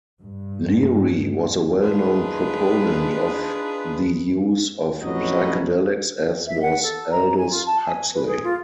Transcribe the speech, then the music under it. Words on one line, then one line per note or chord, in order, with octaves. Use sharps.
Leary was a well-known proponent of the use of psychedelics, as was Aldous Huxley.
G2
D4 D#4 F4 G#4 B4
A1 F2 B2 F#3 C#4 D#5
E5
F#5
A4
A#5
G#5
F4
A5
G#5
B4
G#4
F4